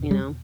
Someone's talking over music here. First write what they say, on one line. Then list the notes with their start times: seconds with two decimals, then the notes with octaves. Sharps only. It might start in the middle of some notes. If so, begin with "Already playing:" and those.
you know,
Already playing: E2 B2
0.11 G3